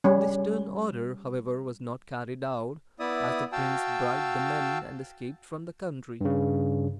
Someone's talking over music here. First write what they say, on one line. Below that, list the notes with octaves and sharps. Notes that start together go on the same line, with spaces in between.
This stern order, however, was not carried out, as the prince bribed the men and escaped from the country.
G3 C#4
B3 E4 D5 E5 D#6
F#4 F5 G5 A5 E6
G2 C#3